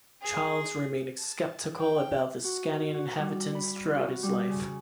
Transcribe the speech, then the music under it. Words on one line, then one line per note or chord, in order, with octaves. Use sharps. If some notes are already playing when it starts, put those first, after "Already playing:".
Charles remained sceptical about the Scanian inhabitants throughout his life.
G#4
A5
G5
F#4
F#4
G3
B5
F6
F#4
G3
C#3